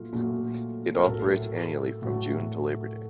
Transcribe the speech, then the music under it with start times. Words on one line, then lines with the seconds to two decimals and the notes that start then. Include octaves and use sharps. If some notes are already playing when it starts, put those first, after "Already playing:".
It operates annually from June to Labor Day.
Already playing: A#2 F#3 A3 F4
0.13 A#2 F#3 A3
0.95 A#4
1.07 A2 F#3 A3 A4
2.02 A2 F#3 A3 F#4